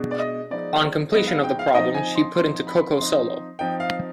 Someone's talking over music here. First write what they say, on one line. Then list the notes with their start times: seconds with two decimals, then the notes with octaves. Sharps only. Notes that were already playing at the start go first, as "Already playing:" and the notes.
On completion of the problem, she put into Coco Solo.
Already playing: B2 G#3 D4
0.11 D5
0.19 D#5
0.50 F3 G#3 B3 D#4 D5
1.12 F3 G#3 B3 D#4 D#5
1.27 F5
1.43 G5
1.59 F5
1.74 F3 C4 D#4 D#5
1.94 G#5
2.15 C6
2.35 F3 C4 D#4 C6
2.67 B5
2.97 F3 C4 D#4 C6
3.59 F3 C4 D#4 G5
3.80 F5